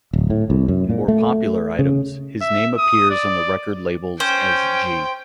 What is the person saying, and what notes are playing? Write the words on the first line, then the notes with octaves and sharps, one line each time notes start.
In more popular items, his name appears on the record labels as 'G.
D1
A2
C2
F#2
A#2
A3
C#3
E5
D#6
D5
C#4 C5 G5